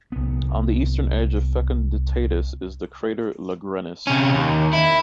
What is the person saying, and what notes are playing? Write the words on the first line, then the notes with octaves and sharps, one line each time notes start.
On the eastern edge of Fecunditatis is the crater Langrenus.
C2 B3
C3 C#4
D#2
E4